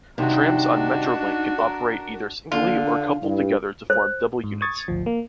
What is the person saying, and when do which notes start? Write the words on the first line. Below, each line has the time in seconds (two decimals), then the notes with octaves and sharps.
Trams on Metrolink can operate either singly, or coupled together to form double units.
0.18 G2 C3 D#3 D4 D#4 F#4
1.58 A#4
2.52 D3 A#3 F4
2.86 D4
3.22 G2 E4
3.90 C5
4.44 G#2
4.62 C#6 D#6 G#6 A6
4.88 G#1 D2 F3
5.06 A#3